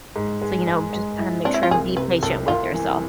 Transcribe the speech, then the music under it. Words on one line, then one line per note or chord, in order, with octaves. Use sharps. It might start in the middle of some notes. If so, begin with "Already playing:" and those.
So, you know just kinda make sure, and be patient with yourself.
G#2
G#3
G#3
G#3
E4
C4 D4
E4
F4
C2 G#4
C3 B4
C2 A4
C2 F4
E3